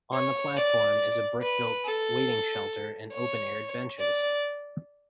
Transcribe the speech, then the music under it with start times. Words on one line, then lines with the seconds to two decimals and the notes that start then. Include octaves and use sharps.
On the platform is a brick built waiting shelter and open aired benches.
0.14 C#5
0.56 D5
1.42 B4
1.85 A4
3.13 C#5
3.99 D5